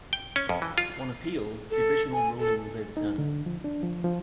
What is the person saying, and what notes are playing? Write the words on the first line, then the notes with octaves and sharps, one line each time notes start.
On appeal, the original ruling was overturned.
G5
C#4
F2
E3
F4
A4
G#5
A4
D#4
D3
F3
D4
F3
F3